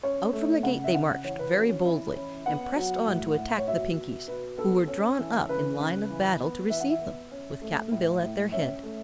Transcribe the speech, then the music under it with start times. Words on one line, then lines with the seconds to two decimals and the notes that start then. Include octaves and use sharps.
Out from the gate they marched very boldly and pressed on to attack the Pinkies, who were drawn up in line of battle to receive them, with Cap'n Bill at their head.
0.03 C#4 C#5
0.33 A3
0.63 C#3 F#5
0.84 E5
0.94 C#3 F#5
1.24 E3 C#5
1.39 B4
1.54 C#4 F#4
1.69 C#4
1.85 E3 E4
2.16 C#4
2.46 B3 F#5
2.76 F#3
3.06 A2
3.37 A2
3.58 C#5
3.67 B2 E5
3.97 B3
4.28 B2 B4
4.58 B3 A4
4.88 C#4
5.19 E3
5.49 C#3 B4
5.80 C#3
6.10 E3
6.40 B3
6.70 E3 E5
6.80 F#5
6.89 E5
7.01 B3
7.32 C#4
7.61 A3
7.91 A2
8.22 A2
8.52 C#4 E5
8.83 A3